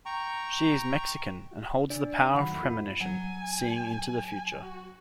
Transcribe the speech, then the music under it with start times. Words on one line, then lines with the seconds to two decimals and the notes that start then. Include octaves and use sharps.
She is Mexican and holds the power of premonition, seeing into the future.
0.06 G5 A#5 C#6
1.90 D4 D5
2.35 D#3 F#3 F#5 B5
2.52 E2 A3 E4
2.63 F4
3.00 F#3 G#5
4.63 F#4